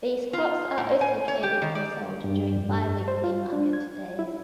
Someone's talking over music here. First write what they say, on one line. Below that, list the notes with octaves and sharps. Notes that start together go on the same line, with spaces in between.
These crops are also traded and sold during bi-weekly market days.
F4
A2
G#5
C#5
G4
D#3
D5
G2
F2
G2
C5
F4
D4
G#6
E4